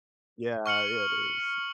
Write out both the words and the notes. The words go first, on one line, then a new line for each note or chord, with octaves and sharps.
Yeah, yeah, it is.
C#6 F6 C#7 F#7